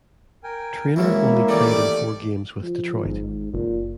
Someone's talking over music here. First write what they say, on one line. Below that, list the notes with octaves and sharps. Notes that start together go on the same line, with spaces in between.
Treanor only played in four games with Detroit.
A#4 G5 G#5
E3 F#3 G#3 A#3 C#4 E4 E5
D#3 E3 A3 G4 D5
F3
G#1 G#2
F#1 A#2